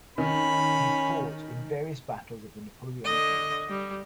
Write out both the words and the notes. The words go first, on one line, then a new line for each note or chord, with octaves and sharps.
He fought in various battles of the Napoleonic wars.
D#3 C#4 B5
D3 D#5
G3